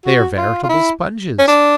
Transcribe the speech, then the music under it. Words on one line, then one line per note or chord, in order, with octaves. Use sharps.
They are veritable sponges!
F#4
F4
F4
E4
C#4
D4